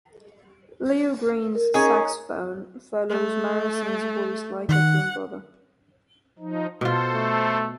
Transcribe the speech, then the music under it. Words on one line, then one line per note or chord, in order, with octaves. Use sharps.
Leo Green's saxophone follows Morrison's voice like a twin brother.
A#4
C#4 D#4 G#4
A3
D#3 F#5
F3 D#4
B2 F4 A4 C5
A3